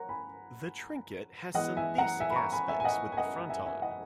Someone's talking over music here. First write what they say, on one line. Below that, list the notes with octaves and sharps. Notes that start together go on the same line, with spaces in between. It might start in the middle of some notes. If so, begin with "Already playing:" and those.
The trinquet has some basic aspects with the fronton.
Already playing: A#4 C#5 F#5 A#5
G#5 B5
E3 G#3 B3 D#5 F#5
E5 G#5
F#5 A#5
E5 G#5
B5
A#5 C#6
G#5 B5
E5 G#5
G#5
D#5 F#5
G#5
D#5 F#5
E5 G#5
E5 G#5
D#5 F#5